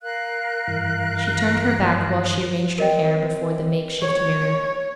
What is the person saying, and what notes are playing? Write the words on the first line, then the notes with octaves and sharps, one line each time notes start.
She turned her back while she arranged her hair before the makeshift mirror.
A#4 F5 F#6
G2 E3
C4 A#4 D#5 G5
C#5